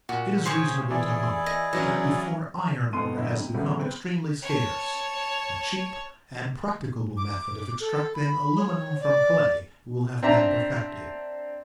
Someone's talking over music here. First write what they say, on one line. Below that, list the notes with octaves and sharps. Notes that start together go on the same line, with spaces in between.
It is reasonable to hope that before iron ore has become extremely scarce, a cheap and practicable method of extracting aluminium from clay will have been perfected.
A#2 F#4
G#4 C5 C#5 G5 C#6
E3 E4 G#4 D5
D#5
E3 F#3 C#4 D#5
F2 B2 B3 A4 C6 D#7
G1 F#3 E4 D#5 E5
C3
A2 C#3 E3 F#3 B3
C4 B4
C#5 A5
D6
A4
B5
C#5
D5
C4 D4 E5 A#5